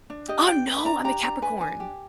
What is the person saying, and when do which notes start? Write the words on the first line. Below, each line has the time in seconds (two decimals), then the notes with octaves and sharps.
Ah, no, I'm a Capricorn.
0.10 D4
0.28 G4 D#5
0.47 D4 G5
0.67 B4
0.78 B5
0.85 D4 A#5
1.04 G4 A#5
1.23 D4 A#5
1.42 B4 G#5
1.60 D4 G#5
1.80 G4